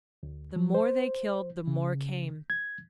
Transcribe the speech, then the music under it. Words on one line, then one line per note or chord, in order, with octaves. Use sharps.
The more they killed the more came.
D2
F3
C5
C#3
G#6